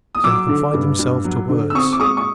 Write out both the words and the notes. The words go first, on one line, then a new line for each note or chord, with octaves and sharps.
So he confined himself to words.
D#6
F#3 D6 E6
D3
G2
G2
F#3
D3
E6
C4 C#6 D#6
D6
G#3 C#6 D#6
C#6